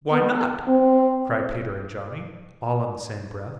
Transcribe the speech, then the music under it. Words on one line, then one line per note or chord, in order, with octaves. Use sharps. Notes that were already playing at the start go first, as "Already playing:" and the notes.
"Why not?" cried Peter and Johnny, all in the same breath.
B3
C4